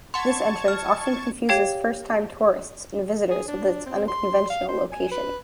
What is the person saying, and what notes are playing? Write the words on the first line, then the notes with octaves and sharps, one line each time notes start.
This entrance often confuses first-time tourists and visitors with its unconventional location.
F#5 A5 C6 C#6 G#6
F6
G4 C#5 F5 G5 G#6
G#4
D4
C4
C6
F5
C5
G#5
B4